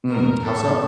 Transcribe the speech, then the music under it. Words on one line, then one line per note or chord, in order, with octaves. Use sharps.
Hmm, how so?
A#4
A4